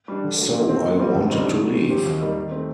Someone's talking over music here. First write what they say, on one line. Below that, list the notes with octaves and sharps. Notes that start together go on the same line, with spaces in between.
So I wanted to leave.
G3 D4
D3
F#3 A3
A#2
A3 C4
A#2
G3 C4
D2
D3 G3 C4 D#4
A2
F#3 A3
A#2
F#3 C4 G4
D#2
D#3 G3 A#3
D#3
A3 C4